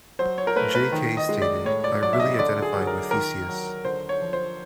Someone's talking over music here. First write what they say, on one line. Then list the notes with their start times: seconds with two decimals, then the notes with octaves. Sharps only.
Jay Kay stated, I really identify with Theseus.
0.19 F#3 C5
0.38 C#5
0.47 A#4
0.56 A3 B4
0.75 B4
0.92 D#3
1.17 D#5
1.29 G#3
1.42 D5
1.65 A2 C#5
1.84 D5
2.02 F#3 D5
2.13 E5
2.20 D#5
2.39 D3 D5
2.62 G#4
2.75 F#3
2.87 A#4
3.11 D#3 A#4
3.48 F#3
3.85 D3 C5
4.09 C#5
4.22 F3
4.33 C5